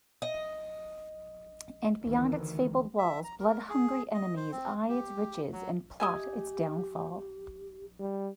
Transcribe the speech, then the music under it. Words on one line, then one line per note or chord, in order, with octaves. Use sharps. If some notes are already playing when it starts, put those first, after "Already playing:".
And beyond its fabled walls blood-hungry enemies eye its riches and plot its downfall.
D#5
D2 D#3 E3
E5
A#5
A#4
G#4
D#5
C5
C4
G4
F#3
G4 D#5 E5 G#5
G3